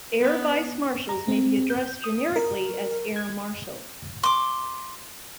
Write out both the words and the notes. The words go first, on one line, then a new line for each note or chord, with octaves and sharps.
Air vice-marshals may be addressed generically as "air marshal".
B3
A#5
C4
G6
D#6
A#4
G#6
C6 D6